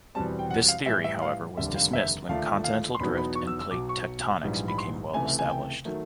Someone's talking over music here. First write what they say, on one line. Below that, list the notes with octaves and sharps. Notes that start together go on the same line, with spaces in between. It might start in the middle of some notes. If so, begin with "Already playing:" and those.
This theory however was dismissed when continental drift and plate tectonics became well established.
E2 B2 G3 C4 A5
G5
F#5
F5
A2 E3 G3 E5
E5
F5
F1 D#2 D3 G3 E5
F5
E5
D#2 D3 F3 A3 D4 F5
F5
C6
E2 B2 F#3 B3 D#4 B5
B5
C#6
E6
E6
B1 B2 F#3 D6
C#6
A#1 G#2 E3 G3
B5
C6
C#2 C3 E3 A3 G#5
G#5
G5
D#3 F#3 A3